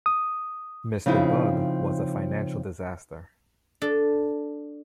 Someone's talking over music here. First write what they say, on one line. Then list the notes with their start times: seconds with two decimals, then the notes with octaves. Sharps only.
"Mr. Bug" was a financial disaster.
0.06 D#6
1.06 C#3 F3 C4 D#4 E4 G#4
3.82 D4 A4